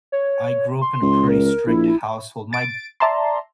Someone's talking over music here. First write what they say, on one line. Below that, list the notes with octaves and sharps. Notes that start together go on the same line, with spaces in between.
I grew up in a pretty strict household, my
C#5
C6
C#2
A#4
A#1 E4
A6 D7
D5 E5 A5 A#5 C6